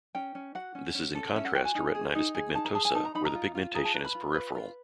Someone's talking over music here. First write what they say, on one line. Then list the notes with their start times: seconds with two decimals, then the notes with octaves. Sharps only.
This is in contrast to retinitis pigmentosa where the pigmentation is peripheral.
0.15 C#4 G5
0.35 C#4
0.55 F#4 F#5
0.75 C#4
0.95 C#4
1.15 A4
1.35 C#4 E5
1.45 F#5
1.55 F#4 G5
1.65 G#5
1.75 D#4
1.95 G#4
2.15 D#4
2.35 G#4
2.54 D#4 A5
2.65 A#5
2.75 G#4 A5
2.85 G#5
2.94 D#4 A5
3.05 A#5
3.15 D#4 B5
3.25 A#5
3.35 F4
3.55 F4
3.75 G#4 A#5
3.85 A5
3.94 B4 A#5
4.04 B5
4.15 F4
4.35 B4
4.55 F4